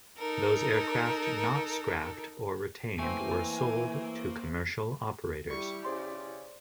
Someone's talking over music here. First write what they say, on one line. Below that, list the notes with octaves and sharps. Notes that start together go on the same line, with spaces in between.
Those aircraft not scrapped or retained were sold to commercial operators.
D#4 A4 A#4
E3 A3 A#3 C4 G#5
G3 E4 G4 C#6
C#3 C#4 G#4 C5 D5 C6